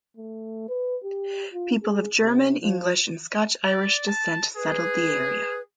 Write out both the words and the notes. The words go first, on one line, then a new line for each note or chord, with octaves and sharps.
People of German, English, and Scotch-Irish descent settled the area.
A3
B4
G4
F4
G#4
C3
F3
D5
A5
G#4 B4